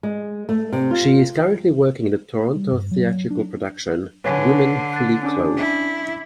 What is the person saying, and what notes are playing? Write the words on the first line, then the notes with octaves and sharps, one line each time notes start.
She is currently working in the Toronto theatrical production, Women Fully Clothed.
G#3
A3
C3
F4
G3
G2
F#3
D4
D3 B4 C#5 G#5
C7
F#6 A6
C#4 D4 D6
E4